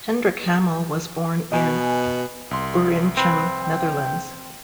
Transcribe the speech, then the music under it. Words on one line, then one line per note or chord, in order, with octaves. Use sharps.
Hendrick Hamel was born in Gorinchem, Netherlands.
B2 D#5 G#5
C2 C6
C4 B4
G5